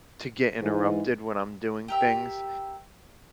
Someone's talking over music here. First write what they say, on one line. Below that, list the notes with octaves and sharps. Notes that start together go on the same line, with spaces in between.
to get interrupted when I'm doing things,
G#2 E3
G4 A#4 E5